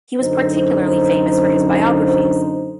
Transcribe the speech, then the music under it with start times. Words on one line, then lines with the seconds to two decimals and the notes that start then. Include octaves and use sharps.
He was particularly famous for his biographies.
0.20 F#2 D3 D#4 C5